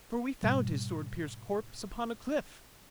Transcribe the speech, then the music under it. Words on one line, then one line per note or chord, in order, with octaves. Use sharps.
For we found his sword-pierced corpse upon a cliff.
G#2 B2 G3